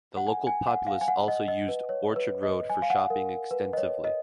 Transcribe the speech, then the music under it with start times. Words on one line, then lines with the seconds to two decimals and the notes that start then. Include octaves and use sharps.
The local populace also use Orchard Road for shopping extensively.
0.17 F#5
0.27 G#5
0.47 G#5
0.67 F#5
0.87 F5
1.01 G#5
1.08 F#5
1.28 D#5
1.48 D#5
1.68 B4
1.89 C#5
2.16 B4
2.43 D#5
2.70 G#5
2.82 F5
2.90 F#5
3.10 A#4
3.51 B4
3.73 D#5
3.77 C#5
4.04 D#5